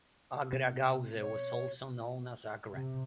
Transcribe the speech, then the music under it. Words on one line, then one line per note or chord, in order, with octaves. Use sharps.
Agra gauze was also known as Agre.
B2 C4
C#5
C3